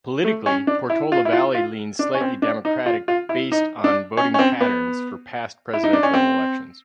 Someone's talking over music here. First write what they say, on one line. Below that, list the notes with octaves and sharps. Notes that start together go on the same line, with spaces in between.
Politically, Portola Valley leans slightly democratic based on voting patterns for past presidential elections.
A3
C#4
D4
E4
F4
E4
F4
F4
D4
C#4
C4
D4
D#4
F4
F4
E4
D#4
D4
C#4
C#4
C4
B3
E4
D#4
D4
C#4
C4